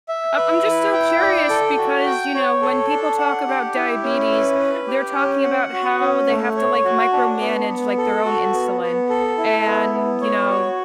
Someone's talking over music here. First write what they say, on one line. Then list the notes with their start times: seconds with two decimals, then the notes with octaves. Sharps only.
I I'm just so curious because, you know, when people talk about diabetes, they're talking about how they have to, like, micromanage, like, their own insulin and you know
0.09 E5
0.37 B4
0.66 E4
0.93 G5
1.21 D5
1.49 A4
1.78 F#4
2.06 G5
2.34 C#5
2.62 A4
2.90 D4
3.18 F#5
3.47 G4
3.75 E4
4.03 C#4
4.31 B4
4.59 B4
4.87 G4
5.16 C#4
5.44 F#5
5.72 F#4
6.00 C#4
6.28 A3
6.56 C#5
6.85 F#4
7.13 D4
7.40 B3
7.68 B3
7.97 A4
8.25 F#4
8.53 B3
8.82 B3
9.09 A4
9.38 E4
9.66 B3
9.94 B3
10.21 C#5
10.50 F#4